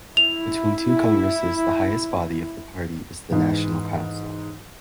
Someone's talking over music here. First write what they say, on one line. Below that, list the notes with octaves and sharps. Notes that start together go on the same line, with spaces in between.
Between two congresses the highest body of the party is the National Council.
E4 F7
G#2 E3